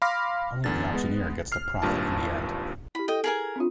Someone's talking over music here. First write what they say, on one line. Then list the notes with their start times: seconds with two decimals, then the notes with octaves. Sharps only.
Only the auctioneer gets to profit in the end.
0.02 F5 B5 C6 D6 F6 A#6
0.64 E2 D3 A6
0.93 G#3 B3
1.52 F6 C7
1.82 G#1 G2 A#2 A5
2.95 E4 G4 B5
3.08 A4 D#5 G5
3.24 G#4 A#4 G#5
3.56 C4 D4 F4